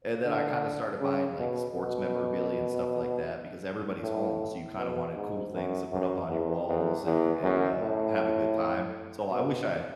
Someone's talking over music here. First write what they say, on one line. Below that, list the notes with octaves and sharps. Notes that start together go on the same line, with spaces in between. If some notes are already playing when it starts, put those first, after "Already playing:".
And then, I kinda started buying, like, sports memorabilia, and stuff like that, because everybody's home, so you kinda wanted cool things to put up on your walls, and and, uh, have a good time. So I wish I
D3
C#3
B2
B2
A2
B2
G#2
F#2
F#2
E2
E2
E2
F#2
A2
B2